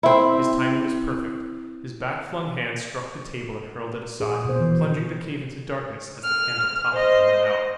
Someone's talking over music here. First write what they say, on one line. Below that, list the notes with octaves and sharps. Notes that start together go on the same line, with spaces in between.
His timing was perfect; his back- flung hands struck the table and hurled it aside, plunging the cave into darkness as the candle toppled and went out.
C4 E4
A#2 G#4
B2 C5
E3
F6
C5 D#5